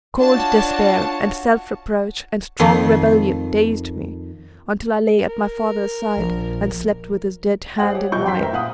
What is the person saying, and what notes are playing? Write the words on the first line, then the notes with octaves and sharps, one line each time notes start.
Cold despair and self-reproach and strong rebellion dazed me, until I lay at my father's side, and slept with his dead hand in mine.
D4 F4 F#4 C#5 A5
F2 D#3 F3
A#4
A#1
G#4 C5 D#5 F#5 G5
G4 C#5
D#1 B1 F3 D#5 C#6 G6
F#2 G5 C6 B6
A#4 C5 E5 A#5
A#2 F5 F#5 D#6